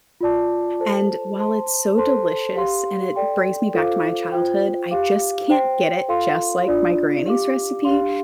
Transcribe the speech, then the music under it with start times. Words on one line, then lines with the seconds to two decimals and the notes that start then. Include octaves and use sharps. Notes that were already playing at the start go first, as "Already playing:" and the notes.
and, while it's so delicious and it brings me back to my childhood, I just can't get it just like my granny's recipe.
0.21 F4 D5 A5 D6
0.80 A4 C5 A5
1.38 C5 A5 C6
1.97 A4 C5 A5 C6
2.55 G4 F5 C6
3.15 A4 D5 G5 C6
3.74 F4 A4 C5 F5 D6
4.32 F4 C5 G5
4.91 G4 F5 D6
5.50 C5 G5 C6
6.08 F4 A4 F5 C6
6.67 D4 F4 D5
7.26 G4 F5 D6
7.84 D4 G4 F5 C6